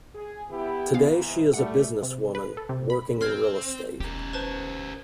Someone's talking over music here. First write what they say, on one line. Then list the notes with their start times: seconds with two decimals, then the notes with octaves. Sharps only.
Today she is a businesswoman working in real estate.
0.15 G#4
0.51 B3 E4 G4
0.94 G#2 E3 B3 F5
1.53 G3 A3 F#5
2.03 C3
2.35 B4
2.57 A4
2.69 C3
2.90 B5
3.21 C4 C6 F6 G#6
4.00 E1 C#4 G4 A#4
4.33 B4 C5 A5